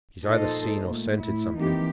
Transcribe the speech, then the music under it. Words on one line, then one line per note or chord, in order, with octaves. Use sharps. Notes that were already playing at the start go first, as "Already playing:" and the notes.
He's either seen or scented something.
A#2 D#4 A4 C5 D#5
A#2 A3
A2 E4
E3 A#3 C4 D#4 G4